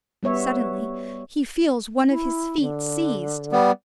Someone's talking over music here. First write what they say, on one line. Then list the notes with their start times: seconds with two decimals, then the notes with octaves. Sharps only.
Suddenly he feels one of his feet seized.
0.23 G3 B3 C#5 E5
2.08 E4
2.61 D3
3.52 G3 B3